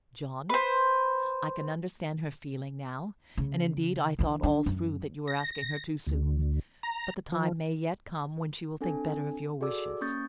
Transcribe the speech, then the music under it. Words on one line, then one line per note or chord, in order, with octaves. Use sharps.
"And, John;--I can understand her feeling now; and indeed, I thought all through that you were asking her too soon; but the time may yet come when she will think better of your wishes."
B4 C5
C#3
D3 E3
D4
F#2
A#6
D2
A#5
F3
C4 D4 A4 G#5
F#4 G#4 A4 D5 D6 E6
A#3 C#4 C#6 D#6 G6 A6